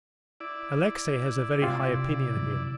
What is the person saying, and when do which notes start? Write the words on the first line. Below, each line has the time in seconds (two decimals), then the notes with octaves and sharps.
Alexey has a very high opinion of him.
0.40 E4 D5
1.62 C3 F4 G4